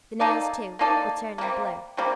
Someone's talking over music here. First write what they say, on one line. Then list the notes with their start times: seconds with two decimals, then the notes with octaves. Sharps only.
The nails, too, were turning blue.
0.20 A#3 D#4 A4 D5
0.79 A#3 D#4 A4 D5
1.38 C3 G3 A#3
1.97 C3 G3 A#3